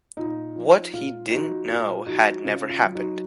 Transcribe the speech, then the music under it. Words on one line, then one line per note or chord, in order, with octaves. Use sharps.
What he didn't know had never happened.
A#2 D#4
F3
A#2 F4
F3 D#4 F#4
A#2 F4
F3 D#4 F#4
C#3 F4
F4
F#3
D#4 F#4